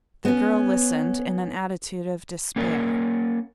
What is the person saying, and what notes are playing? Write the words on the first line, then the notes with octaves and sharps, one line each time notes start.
The girl listened in an attitude of despair.
B3 C#4
A#3 C#4 A#4 D5